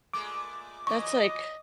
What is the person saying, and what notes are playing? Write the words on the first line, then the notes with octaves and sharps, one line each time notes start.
that's like
A#2 G#3 A3 D6
A#2 E3 F#3 D#5 C#6